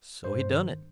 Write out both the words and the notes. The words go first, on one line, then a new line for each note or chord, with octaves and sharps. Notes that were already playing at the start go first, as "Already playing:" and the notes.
So he done it.
G2 C5
D#3